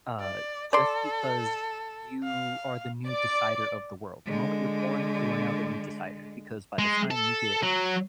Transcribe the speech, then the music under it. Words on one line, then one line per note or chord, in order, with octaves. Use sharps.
uh, just because you are the new decider of the world. The moment you're born, you are now the new decider, because by the time you get
D5
A4 D5 C6
F5
D5
D3 G#3
G#3
A4
F#3